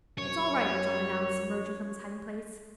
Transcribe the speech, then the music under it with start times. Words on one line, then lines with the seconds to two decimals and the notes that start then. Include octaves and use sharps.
"It's all right," John announced, emerging from his hiding-place.
0.18 F#2 C#5